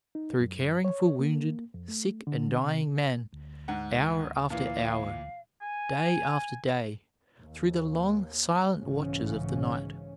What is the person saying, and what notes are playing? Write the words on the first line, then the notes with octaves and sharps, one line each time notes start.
Through caring for wounded, sick and dying men, hour after hour, day after day, through the long, silent watches of the night.
D#4
F#2
C#5
A#3
F2
A3
D3
C3
D2
G#2 F#5
A#2 E3 F5
G#5
D#2
B1 G#2 C#3 E3 C#4